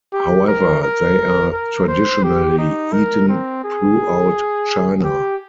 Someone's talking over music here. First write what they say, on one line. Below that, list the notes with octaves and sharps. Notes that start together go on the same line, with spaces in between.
However, they are traditionally eaten throughout China.
G4
A#4
A#4
A#4
C5
G4
D#4
A#4
C4
G#4
G4